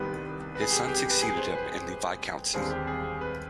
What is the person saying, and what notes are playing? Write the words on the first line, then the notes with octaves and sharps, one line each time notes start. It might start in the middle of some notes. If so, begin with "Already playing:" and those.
His son succeeded him in the viscountcy.
Already playing: C2 C3 D#3 G3 B3 B4
B4
G#4
G4
G#4
G4
B4
G#4
C5
B4
G#4
D#2 D3 G3 C4 G#4
G4
G#4
G#4
B4